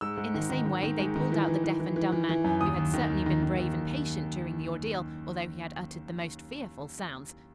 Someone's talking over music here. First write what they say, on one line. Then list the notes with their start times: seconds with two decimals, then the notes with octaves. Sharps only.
In the same way they pulled out the deaf and dumb man, who had certainly been brave and patient during the ordeal, although he had uttered the most fearful sounds.
0.01 G#2 E6
0.17 G#2
0.34 D#3
0.50 D#3
0.66 D#3
0.83 D#3
0.99 G#2
1.16 D#3
1.32 E3
1.48 E3
1.64 E3
1.80 E3
1.96 E3
2.12 E3
2.29 E3
2.44 F#2
2.61 D#2 D#6
2.77 D#2
2.94 D#3
3.10 D#2
3.26 D#3
3.42 D#3
3.58 D#2